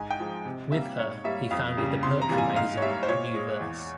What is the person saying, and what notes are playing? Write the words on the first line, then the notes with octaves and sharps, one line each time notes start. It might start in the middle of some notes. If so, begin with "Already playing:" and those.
With her, he founded the poetry magazine "New Verse".
Already playing: G#2 G#5
G5
F3 G#3
C3
G3 A#3 E5
G#2 C#5
G3 A#3 E5
F2 F5
C#3 G3 A#3
C3 C6
A#5
E3 G3 A#3
G#5
G#2 F5
C#5
G3 A#3 E5
C5
A#2 C#5
G#3
E2